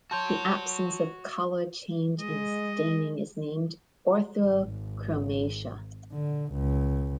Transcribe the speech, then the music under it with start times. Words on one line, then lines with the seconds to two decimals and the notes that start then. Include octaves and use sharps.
The absence of color change in staining is named orthochromasia.
0.11 F#4 C#5 A5 C6 G6
2.20 G#3 D#5
4.47 G#1
6.12 D3
6.53 C#2